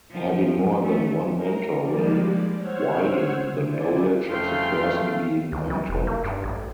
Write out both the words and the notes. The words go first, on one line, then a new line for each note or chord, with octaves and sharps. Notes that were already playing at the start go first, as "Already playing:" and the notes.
Having more than one mentor will widen the knowledge of the person being mentored.
F3
A3 C#4
A#4 A#5
F3 G3 G#3 A#3 D5
C5 C#5 F#5 E6 F6 G#6
E4 C5 D5 G#5
F2 A3 C#4 F5 G5 C6
C#2
E3
F1
A#3
G2
A1